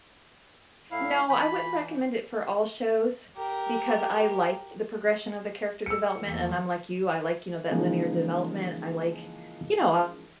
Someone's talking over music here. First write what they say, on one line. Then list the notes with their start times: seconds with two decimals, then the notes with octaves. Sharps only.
No, I wouldn't recommend it for all shows because I like the progression of the character development, and I'm like you, I like, you know, that linear development, I like, you know,
0.91 A2 E4 F5
1.29 E3 B5 G6
3.37 G4 A#4
5.86 E6 C#7
6.22 E2 A3 A#3
7.70 C#3 E3 F3 G#3 A#3 D#4